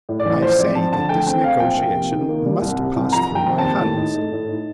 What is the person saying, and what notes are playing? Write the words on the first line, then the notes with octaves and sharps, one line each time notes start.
I say that this negotiation must pass through my hands.
A2
D5
A1
F3 C5
C4 D5
F3 A5
D3 A5
A3 G5
C4 G5
C4 F5
A#1 G5
A#3
C3
D#3
A#3
G3
C2
C3
C2
F3 A#5
D#2
G5
C4
A5
D#2
A2
D#4
A3
A2
D#4